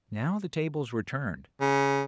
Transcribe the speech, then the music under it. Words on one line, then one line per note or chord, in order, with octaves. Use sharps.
Now the tables were turned.
C#3